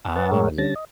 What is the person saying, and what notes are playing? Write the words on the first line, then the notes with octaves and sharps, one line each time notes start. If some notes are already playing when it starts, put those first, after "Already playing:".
Ah, yeah.
B4 F#5 A5
A2 G#3 A#4 C#5
D3 G3 C#4 A5 A6 A#6
D#5